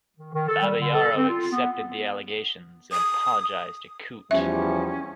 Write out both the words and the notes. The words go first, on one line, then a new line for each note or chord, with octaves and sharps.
Babayaro accepted the allegations and apologised to Kuyt.
D#3
D#3
A4
G3
D3
A4
C4
F4
B3
D#6
E2 F3 G3 C#4 E5